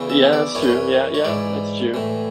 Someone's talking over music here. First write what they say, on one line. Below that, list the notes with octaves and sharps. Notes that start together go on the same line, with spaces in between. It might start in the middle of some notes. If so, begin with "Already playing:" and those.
Yeah, that's true, yeah, yeah, that's true.
Already playing: E2 C#3 E3
E5
D5
F#2 E3 C#5
B4
C#5
C#5
G#2 E3 D5
A2 E3